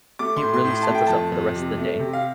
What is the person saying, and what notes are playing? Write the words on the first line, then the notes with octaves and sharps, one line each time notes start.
it really sets us up for the rest of the day.
A3 D6
C6
A2
C6
A2
C6
A5
A3
G5
F2 A5
F2
C3
A3
C3
F5